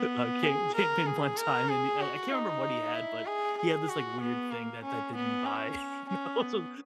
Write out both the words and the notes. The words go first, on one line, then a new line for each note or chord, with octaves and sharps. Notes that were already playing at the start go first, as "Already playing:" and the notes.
uh, came, came in one time and i I can't remember what he had, but he had this like weird thing that that they didn't buy, you know, so
Already playing: B3
G#4
A#4
G#4
A#4
G#4
F#4
D#4
E4
G#4
G#4
F#4
B3
A#3
C#4
B3
C#4
C#4
B3